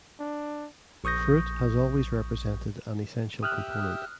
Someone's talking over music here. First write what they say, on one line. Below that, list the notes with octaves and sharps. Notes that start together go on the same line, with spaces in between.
Fruit has always represented an essential component.
D4
A#1 C#6 D#6 G6 A#6
G4 E5 D#6 F6 F#6